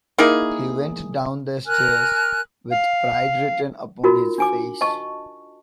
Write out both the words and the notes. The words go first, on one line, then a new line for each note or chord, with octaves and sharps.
He went down the stairs with pride written upon his face.
A#3 D#4 E4 G#4
A#4 G#5 F6 F#6
F5
D#4 F4 F#4 A#4
D4 G#5 D6
D#5 A5 C#6